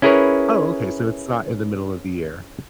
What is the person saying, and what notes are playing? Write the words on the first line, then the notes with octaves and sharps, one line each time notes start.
Oh, okay, so it's not in the middle of the year.
C#4 E4 G#4 A#4 B4 C#5